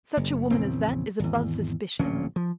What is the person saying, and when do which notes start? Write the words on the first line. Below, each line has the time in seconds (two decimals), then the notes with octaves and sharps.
Such a woman as that is above suspicion.
0.17 F#1
0.51 A#1 E2 C#3 C4
1.20 G#1 E2
1.99 D1 A#1 A#2 C#4
2.36 F3